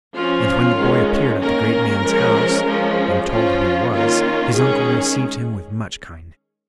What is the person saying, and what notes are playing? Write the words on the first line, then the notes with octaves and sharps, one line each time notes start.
And when the boy appeared at the great man's house and told who he was, his uncle received him with much kindness.
F3 C#4 F4
D#3 G#3 C#4
D#3 A#3 C#4 A#4
F3 G#3 C#4
F3 G#3 C#4
F3 C#4 F4
D#3 A#3 C#4 F4
D#3 G#3 C#4 G#4